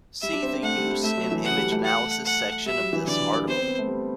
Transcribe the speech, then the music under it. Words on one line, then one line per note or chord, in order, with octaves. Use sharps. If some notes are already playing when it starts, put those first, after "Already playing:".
See the Use in image analysis section of this article.
G3 E5
D4
C4
C4
A3 F#5
G3
G3
A3 E5
F#3
E3
F#5
G3
A3
F#5
F#5
G3 E5
F#3
E3
D3 D5
D3
G3
B3 C5
C4
B3
A3
G3